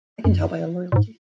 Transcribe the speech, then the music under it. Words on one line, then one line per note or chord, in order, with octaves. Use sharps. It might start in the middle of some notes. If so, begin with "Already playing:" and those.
I can tell by your loyalty.
F#2
A#2
G#2